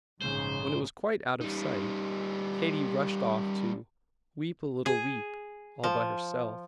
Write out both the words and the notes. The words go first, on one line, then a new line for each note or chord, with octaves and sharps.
When it was quite out of sight, Katy rushed off to "weep a little weep," all by herself.
A#1 G#2 C#3 C5
G3 D#4
G#4
F3